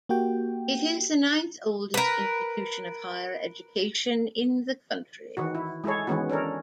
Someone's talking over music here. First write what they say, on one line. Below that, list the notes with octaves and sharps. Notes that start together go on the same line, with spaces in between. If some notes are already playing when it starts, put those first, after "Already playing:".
It is the ninth oldest institution of higher education in the country.
A#3 F#4 G4 G5
A#4 B4
D#3 E3 F#4
E4
G#3 E4 G#4 A4 C#5
D#3 E3 G#3 B3 C#4 F#4
C#4 D4 A4 A#4